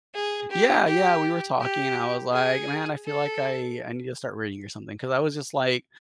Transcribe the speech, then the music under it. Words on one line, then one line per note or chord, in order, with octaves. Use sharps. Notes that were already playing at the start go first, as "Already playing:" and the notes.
Yeah, yeah, we were talking and I was like, "Man, I feel like I I need to start reading or something." 'Cause I was just, like
G#4
G4
G4
G4
G#4
A4